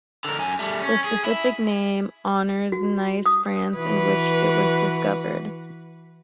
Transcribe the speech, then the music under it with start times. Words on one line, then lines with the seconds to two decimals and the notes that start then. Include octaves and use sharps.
The specific name honors Nice, France, in which it was discovered.
0.25 D3 A#4
0.39 F#2 G#5
0.59 G3 A3
0.82 C#4
1.04 G#4
1.25 E4
2.72 F#4
3.26 D#6
3.76 E3 F#4 B4